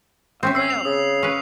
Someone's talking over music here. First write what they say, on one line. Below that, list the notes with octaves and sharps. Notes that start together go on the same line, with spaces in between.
Oh wow.
C4 C#4 E5
E6 C7
F7
C#3 D#6
C#4 B4